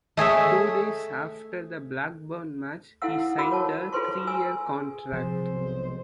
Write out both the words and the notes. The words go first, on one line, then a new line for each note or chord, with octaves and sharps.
Two days after the Blackburn match, he signed a three-year contract.
A3 G#4 C#5 E5
E4 A4 F5 F#5 E6
F#4 A#4 B5 D6 E6
C#5 A5
F4 G#4 A4 B4 C6 C#6
G#5 E6
G#4
C3 F3 C5
B1 G#2